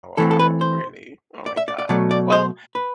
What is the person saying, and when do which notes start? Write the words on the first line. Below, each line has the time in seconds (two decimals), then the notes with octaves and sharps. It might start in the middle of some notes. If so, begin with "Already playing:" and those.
wow, really? Oh my god. Well,
0.17 E3 A3 C4 A4
0.31 A4
0.39 B4
0.61 C5
1.46 D5
1.57 E5
1.68 D5
1.78 D5
1.89 B2 F#3 A3 D5
2.11 D5
2.32 C5
2.75 B4